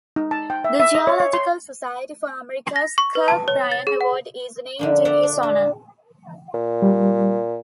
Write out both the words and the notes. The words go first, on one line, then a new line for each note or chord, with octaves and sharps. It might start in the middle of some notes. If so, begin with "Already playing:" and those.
The Geological Society of America's Kirk Bryan Award is named in his honour.
D#4
A5
G5
E5
E5
D#5
C#5
C#5
C6
A#6
C#6
B4
A5
C#5
A6
G#4
F#5
D3 F3 A#3
D5 E5 F#5 G5 A#5
D4
D4
A#2
G3